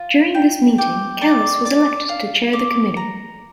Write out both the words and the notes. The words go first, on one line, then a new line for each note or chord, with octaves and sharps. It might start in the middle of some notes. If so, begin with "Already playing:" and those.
During this meeting Kalas was elected to chair the committee.
Already playing: F4
G5
G4
D5
D5
F5
D6
A#5